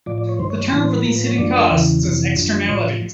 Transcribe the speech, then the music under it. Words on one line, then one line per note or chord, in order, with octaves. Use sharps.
The term for these hidden costs is "Externalities".
A2 F3 D5
D5
C#5
G2 D#3 C5
C#5
C#5
A2 E3
C5
B4
A2 F3 A#4
B4
C#5
F#2 D3 F3 D5
E2 C#3 E3
F2 C3 E3
F#2 D3 F3
A2 F3 C#5